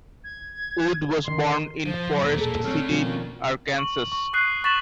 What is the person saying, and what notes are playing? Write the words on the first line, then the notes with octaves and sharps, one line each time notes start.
Wood was born in Forrest City, Arkansas.
G#6
D#3 C6
F3 C5
E1 A#2 A4 B6
G#4 A4
A3 C4 D4 C#5 F6
B2 D#3 F3 C#4
C#6 F#7
C#6
C#6 D#6 F#6 C7 D#7
C#6 A6 B6 E7 F#7